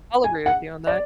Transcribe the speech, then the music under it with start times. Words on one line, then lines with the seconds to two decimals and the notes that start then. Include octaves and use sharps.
I'll agree with you on that.
0.24 G#5
0.46 F#5
0.87 D5